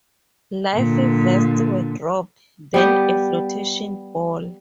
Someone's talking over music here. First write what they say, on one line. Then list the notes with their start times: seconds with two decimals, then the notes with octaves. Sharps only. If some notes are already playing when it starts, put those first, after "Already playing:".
Life vests were dropped, then a flotation ball.
0.75 A#2 D3
2.74 G3 B3 G4